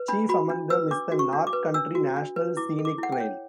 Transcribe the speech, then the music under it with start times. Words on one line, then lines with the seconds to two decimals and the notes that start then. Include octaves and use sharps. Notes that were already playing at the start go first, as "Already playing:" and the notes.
Chief among them is the North Country National Scenic Trail.
Already playing: B4
0.08 D4 B5
0.29 F#4 B5
0.49 D4
0.70 B4 E6
0.91 D4 D6
1.12 F#4
1.19 C#6
1.33 D4
1.47 D6
1.53 B4
1.74 D4 E6
1.95 F#4
2.16 D4
2.36 B4
2.57 E4 D6
2.79 A4
2.85 D6
2.98 E4 F#5
3.12 G5
3.20 C#5